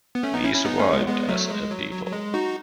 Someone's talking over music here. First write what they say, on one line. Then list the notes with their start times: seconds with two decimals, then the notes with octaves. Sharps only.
We survived as a people.
0.15 B3
0.23 A3 C#4
0.34 B3 D#4
0.44 C#4 E4
0.55 C#4 E4
0.65 B3 D#4
0.79 A3 C#4
0.93 G#3 B3
1.07 G#3 B3
1.28 F#3 A3
1.50 G#3
1.71 F#3
1.92 F#3
2.05 F#3
2.13 G#3
2.34 D#4 F#4